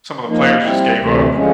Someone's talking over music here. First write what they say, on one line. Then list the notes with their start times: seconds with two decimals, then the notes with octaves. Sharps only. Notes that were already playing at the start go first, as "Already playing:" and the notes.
some of the players just gave up.
0.28 F3 A#3 D#4
0.63 G3 C4 E4
0.99 D2 C3 E3 A3
1.35 D3 F3 G#3 C#4